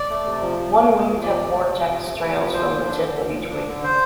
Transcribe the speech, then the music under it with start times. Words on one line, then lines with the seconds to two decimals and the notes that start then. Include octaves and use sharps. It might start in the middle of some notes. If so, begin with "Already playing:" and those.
One wingtip vortex trails from the tip of each wing.
Already playing: D5
0.09 A3
0.26 C3
0.42 F3
0.58 C3
0.75 A3
0.91 C3
1.07 F3
1.23 C3 D5
1.39 A3
1.56 C3
1.72 F3
1.88 C3
2.05 A3
2.21 C3
2.37 F3
2.53 D2 C5
2.70 F3
2.86 D4
3.02 D3
3.18 D2
3.34 F3
3.51 D4
3.67 D3
3.84 C5